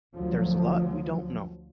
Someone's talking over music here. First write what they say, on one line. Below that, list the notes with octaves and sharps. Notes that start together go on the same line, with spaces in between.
There's a lot we don't know.
D2 F3 F#3